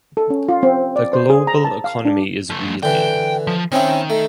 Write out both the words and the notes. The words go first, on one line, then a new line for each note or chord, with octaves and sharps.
The global economy is reeling.
A4
C#4
F4
C4
D5
C5
G#4
A#5
A5
F5
D4
F3 A3
D3 E3 G5
F3
D#3 C4 C#4 E4
A3